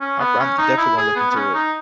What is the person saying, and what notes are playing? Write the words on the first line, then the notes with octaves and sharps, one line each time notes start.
I, from definitely gonna look into it.
C#4
B3
C#4
D#4
E4
G#4
B3
B3
C#4
D#4